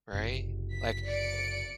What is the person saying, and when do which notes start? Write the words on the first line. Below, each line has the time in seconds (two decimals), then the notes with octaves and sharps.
Right? Like,
0.13 F#1 C3
0.72 B6
1.06 D5 C#7 D7